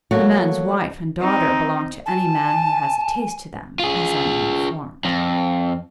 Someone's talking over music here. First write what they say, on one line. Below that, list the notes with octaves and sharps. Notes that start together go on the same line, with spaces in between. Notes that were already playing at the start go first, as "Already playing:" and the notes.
A man's wife and daughters belong to any man who has a taste to them, as I am informed.
F#3 A3 A#3 F#4
C4 D#4
G#5 A5
F4 G#4
F2